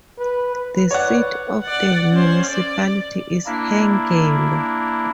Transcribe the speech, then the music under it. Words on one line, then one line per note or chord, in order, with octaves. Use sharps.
The seat of the municipality is Hengelo.
B4
B4
C#5 D5 F#5
D5 F#5
C#4 C5
D5
A#3 D4 E4